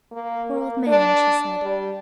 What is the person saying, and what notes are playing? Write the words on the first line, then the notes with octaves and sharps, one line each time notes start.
"Poor old man!" she said.
A#3
A#3
D4
G3